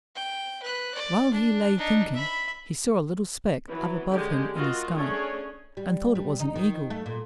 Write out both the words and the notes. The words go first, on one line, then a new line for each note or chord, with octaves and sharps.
While he lay thinking, he saw a little speck up above him in the sky, and thought it was an eagle.
G5
B4 F#6
D5
D4
D4 D#4
E5 B5
E3 F#3
D3 G#3 C#4 G4
F4 F#4 A#4 D#5
A3 C#4 D4 G#4 C#5
G3
G3
D#4
D#3
A3
A#2